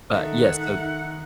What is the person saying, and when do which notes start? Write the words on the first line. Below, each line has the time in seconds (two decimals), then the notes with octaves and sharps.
but yeah, so
0.13 D#3 D#4 A4 E5 F#5